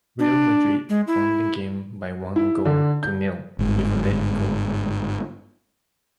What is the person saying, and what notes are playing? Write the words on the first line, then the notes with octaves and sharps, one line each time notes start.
Real Madrid won the game by one goal to nil with a late goal.
D4
G#3
E4
E4
D3
G6
G1 G#2